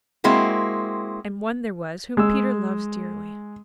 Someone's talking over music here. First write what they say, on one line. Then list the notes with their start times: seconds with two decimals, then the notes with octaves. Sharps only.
And one there was whom Peter loves dearly.
0.24 G#3 A#3 C4 E4 F#4
2.17 G#3 E6